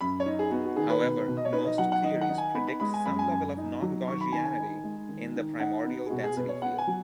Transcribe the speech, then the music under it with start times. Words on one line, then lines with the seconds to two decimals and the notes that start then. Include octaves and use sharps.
However, most theories predict some level of non-Gaussianity in the primordial density field.
0.01 F#2 B5
0.20 C#5
0.26 D#4 D#5
0.39 G#4
0.51 B3 F#4
0.65 F#4
0.76 D#3 G#4
0.90 B4
1.03 B2
1.28 B2
1.37 D#5
1.45 C#5
1.53 D#4 B4
1.66 D#5
1.78 F#3 F#5
1.92 F#5
2.04 D#3 D#5
2.21 F#5
2.29 D#4
2.38 G#5
2.55 B3 B5
2.68 B5
2.80 G#3 B5
2.94 G#5
3.05 F#2 B5
3.19 G#5
3.31 F#2 G#5
3.57 D#4
3.82 F#3
4.08 D#3 C#6
4.21 B5
4.32 D#3 G#5
4.45 G#5
4.59 D#4
4.84 G#3
5.09 D#3
5.35 D#3
5.60 D#4 F#5
5.85 B3
6.06 G#4
6.10 B2 F#4
6.24 G#4
6.37 B2 B4
6.49 C#5
6.62 B3 F#5
6.78 G#5
6.87 F#3